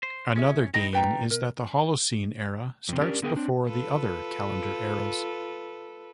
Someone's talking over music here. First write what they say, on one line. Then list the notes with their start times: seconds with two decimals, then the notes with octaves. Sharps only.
Another gain is that the Holocene Era starts before the other calendar eras.
0.03 C5
0.36 C#4 F4 G#4 E5
0.74 B1 D#4 D#5 G5 A#5 B5
0.93 A2 G3 A3 B4 G5 A#5
1.30 B2 A#4
2.89 F2 C3
3.01 C#4 D4 G4 A#4
3.22 D3 B3 G#4 A#4 G5
3.36 C4 D4
3.65 F4 A4 B4